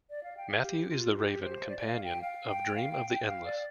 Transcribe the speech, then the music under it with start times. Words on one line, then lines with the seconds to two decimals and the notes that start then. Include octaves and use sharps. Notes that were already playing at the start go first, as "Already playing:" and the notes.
Matthew is the raven companion of Dream of the Endless.
0.10 D5
0.23 F5
0.37 G5
0.50 F5
0.63 G4
0.89 F4
1.16 G4
1.42 C5
1.69 D5
1.80 D5
1.86 F5
2.04 G5
2.22 F5
2.48 G5
2.75 F5
2.92 G5
3.10 G5
3.27 F5
3.45 D5